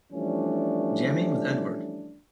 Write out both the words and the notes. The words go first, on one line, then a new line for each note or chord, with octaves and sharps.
Jamming with Edward!
E3 F3 G3 A3 C#4 D4